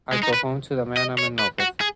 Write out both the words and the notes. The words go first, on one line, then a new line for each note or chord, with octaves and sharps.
I go home to the man I'm in love with.
G#3
D#4
B4
D#5
C#5
B4
F#4
G#4